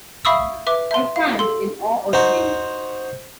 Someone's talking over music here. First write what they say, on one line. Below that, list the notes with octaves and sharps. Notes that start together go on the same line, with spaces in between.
I stand in awe of him.
E5 F5 B5 C#6 D#6 E6
B4 E5 D6
E5 C6
F5
A4 C6
D#4 F#4 C5